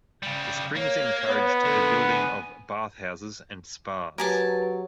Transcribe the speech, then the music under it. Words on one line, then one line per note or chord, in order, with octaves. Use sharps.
The springs encouraged the building of bathhouses and spas.
C#3 G3
A#3 C#5
B3
D2 A4
G#5
F#3 G4 A#4 B4 G#5 A5